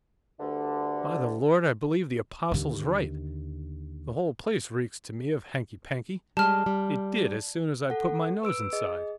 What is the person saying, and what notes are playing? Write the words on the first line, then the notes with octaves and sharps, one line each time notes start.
'By the Lord, I believe the Apostle's right,--the whole place reeks to me of hankey-pankey,--it did as soon as I put my nose inside.
D2 G2 D3
D#2 D3
G3 G#3 A5 F6
G3
A4 F#5
B4 E6 D7
G#4 D#5